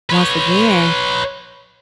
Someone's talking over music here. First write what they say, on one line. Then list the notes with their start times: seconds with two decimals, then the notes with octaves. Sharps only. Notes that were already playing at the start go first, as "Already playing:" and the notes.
once again
0.10 B4 C#5